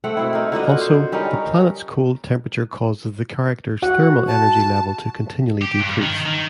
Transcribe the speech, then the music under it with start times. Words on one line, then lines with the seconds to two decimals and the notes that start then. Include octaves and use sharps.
Also, the planet's cold temperature causes the characters' thermal energy level to continually decrease.
0.04 A3 C4 F#5
0.17 B2 C4 E4
0.33 D#4 A#4
0.52 D3 F4 F#4 D#5
0.81 C5
1.12 G3 C#4 D#4 A#4
3.82 F#4 F#5
4.28 A5
5.62 G4
5.79 G2
6.02 D#3
6.26 D#3